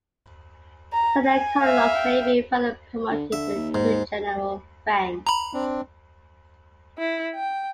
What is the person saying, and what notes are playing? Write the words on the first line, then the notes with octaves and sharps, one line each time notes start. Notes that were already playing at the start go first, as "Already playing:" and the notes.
Senior Colonels may be further promoted to general ranks.
A#5
G#5
E5 F5
G5
D3
D3 E5
D#2
G#2
A#5 B5
C4 D4
E4
G5